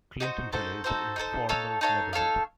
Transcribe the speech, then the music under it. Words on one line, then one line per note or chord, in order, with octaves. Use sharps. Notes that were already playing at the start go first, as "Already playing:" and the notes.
Clintonville is an informal neighborhood.
D#4 F#4 A4 C5
D#4 F#4 A4 C5
D#4 F#4 A4 C5
D#4 F#4 A4 C5
D#4 A4 C#5 F5
D#4 A4 C#5 F5
D#4 A4 C#5 F5